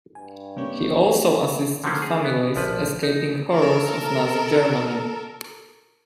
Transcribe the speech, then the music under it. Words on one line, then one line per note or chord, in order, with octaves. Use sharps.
He also assisted families escaping horrors of Nazi Germany.
G2 G#5
C3 G3 A#3 C#4 G4 C#5 G5
C5
D3 D#3 F3 A3 C4 C#4
G#4
B3
A#1 F3 B4
D#4
A4 A#4